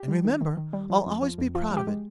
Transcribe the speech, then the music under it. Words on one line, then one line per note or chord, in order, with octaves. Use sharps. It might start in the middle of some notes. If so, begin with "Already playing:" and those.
And remember, I'll always be proud of it.
Already playing: G4
G3
D#3
D#3
D#3
G3
F3
F2
F3
F2
F3 F4
G#3
G4
G#3